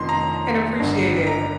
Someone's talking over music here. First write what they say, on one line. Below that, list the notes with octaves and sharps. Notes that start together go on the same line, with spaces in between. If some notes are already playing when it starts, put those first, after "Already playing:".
and appreciate it.
Already playing: F1 F2 D#3 C6
A#5
G#1 G2 D3
A#5